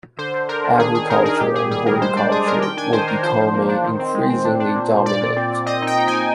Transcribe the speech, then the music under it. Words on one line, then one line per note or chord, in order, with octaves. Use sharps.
Agriculture and horticulture were becoming increasingly dominant.
D3 C5
D3
D3 A#4
D4
D#3 G#4
D#3 G#4
D#4 A#4
D#3 G#4
A#2 G4
A#2 G#4
G3 G#4
G3 A#4
G#3 C5
D4 D5
G#3 G#4
D4 A#4
D#3 G5
D4 G#5
D#3 C5
D4 A#4
F3 C5
F3
A#3
D4
D#3
C4
G#3
C4
D4
D4
A#2
A#2
A#2 D5
A#2
C4
A#2
C4 D#5
D#4
G5
D#4
G#5
D#4